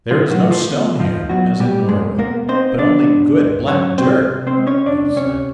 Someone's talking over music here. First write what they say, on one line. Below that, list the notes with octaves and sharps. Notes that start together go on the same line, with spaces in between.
"There is no stone here as in Norway, but only good black dirt," Leif said.
G#2 F3 F4
F#3 F#4
A3
F3 F4
B3
F3 D#4 F4
F#3 B3 F#4
B2 G3 G4
B2 G#3 G#4
A#3 B3 A#4
C4 D#4 C5
B3 D4 D5
G#2
G#2
F#3 C#4 C#5
G#2 C4 C5
C3
C4 C5
G#3
C#4 C#5
C3 D4 D5
C3 C#4 C#5